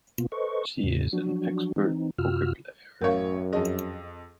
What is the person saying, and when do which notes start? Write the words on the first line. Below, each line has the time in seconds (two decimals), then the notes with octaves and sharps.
She is an expert poker player.
0.18 B2 A#3 B3 F4
0.32 A4 B4 C5 D#5 C#6
0.84 E2 A2 C#3
1.13 F3 F#3 D4 F#4
1.76 E3 C4 D#4
2.18 F#2 C3 F4 F#4 E6 F6
3.02 A1 F#2 A#4 C#5 F5
3.53 F2 G#4 D#5 A5